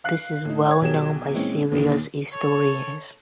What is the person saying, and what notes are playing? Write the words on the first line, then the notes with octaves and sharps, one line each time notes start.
This is well known by serious historians.
F5 F#6 C7
A2 D#4
C#5 G#6
B1 F#3 G4 G#4 E7
A#2 E3 G#3 C4 C#4
D#2 A#2 D#3
A4 C#5